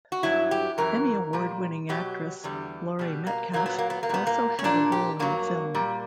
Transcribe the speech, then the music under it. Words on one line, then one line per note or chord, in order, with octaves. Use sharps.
Emmy Award-winning actress Laurie Metcalf also had a role in the film.
F#4
G2 F#3 E4
G4
F#2 E3 A#4
A#2 G3
B2 F#3 G4
E2 D3 G3
B2 G3
A#3
A#2 F#3 A#3
B3
A#3
B3
A#3
A#2 G3 B3
A#3
C#4
A#2 G3 D4
G4
G2 F#3 A#3
A#2 G3